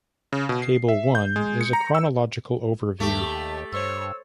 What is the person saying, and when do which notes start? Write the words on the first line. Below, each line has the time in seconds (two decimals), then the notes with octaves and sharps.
Table I is a chronological overview.
0.33 C#3
0.49 B2
0.62 C7
0.88 E5
1.15 G6
1.36 G#3
1.61 C#7
1.73 A#5
1.95 E6
3.00 D#2 A3 G4 A5
3.73 G2 C5 C#5 E6